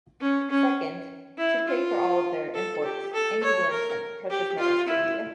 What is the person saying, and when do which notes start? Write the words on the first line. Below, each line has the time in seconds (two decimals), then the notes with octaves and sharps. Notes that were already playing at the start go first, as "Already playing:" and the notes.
Second, to pay for all of their imports, England sent precious metals to India.
0.21 C#4
0.50 C#4
1.38 E4
1.68 F4
2.54 A4
2.84 G4
3.13 A4
3.43 C#5
3.71 A#4
4.30 G4
4.59 F4
4.88 E4